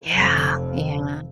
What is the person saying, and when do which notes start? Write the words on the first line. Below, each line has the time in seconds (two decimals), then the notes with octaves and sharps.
Yeah, yeah.
0.13 F1 F2